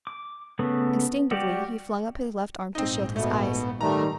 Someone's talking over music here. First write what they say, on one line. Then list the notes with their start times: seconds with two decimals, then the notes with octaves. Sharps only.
Instinctively, he flung up his left arm to shield his eyes.
0.07 D6
0.59 C#3 A3 B3
1.31 G3 F#4 G4 D5
2.75 A#1 G#2 C4 D#4
3.16 B2 A3
3.81 D#3 G3 A3 A#5